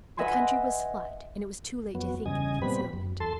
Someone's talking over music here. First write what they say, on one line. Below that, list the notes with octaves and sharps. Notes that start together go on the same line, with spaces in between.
The country was flat, and it was too late to think of concealment.
B4 D#5 E5 F#5 G#5 C6
F2 F#3 B3
E2 G2 C#3 D#5 G#5
A#2 G3 B3 C4 B5
F#2
E2 A4 A5 C6